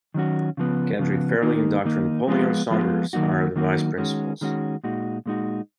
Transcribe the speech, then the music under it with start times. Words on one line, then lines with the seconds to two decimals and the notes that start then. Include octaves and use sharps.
Kedre Fairley and Doctor Napoleon Saunders are the vice principals.
0.14 D#3 F#3 C#4 F#4
0.57 C#3 F3 B3
0.99 C#3 F3 B3
1.42 D#3 A#3 D#4
1.85 D#3 A#3 D#4
2.28 F3 G#3 B3 F4
2.71 F3 G#3 B3 F4
3.13 D#3 F#3 A#3 D#4 F#4
3.56 D#3 F#3 A#3 D#4 F#4
3.98 D#3 G#3 C#4 F#4
4.41 D#3 G#3 C#4 F#4
4.84 A#2 G#3 D#4 F#4
5.26 A#2 G#3 D#4 F#4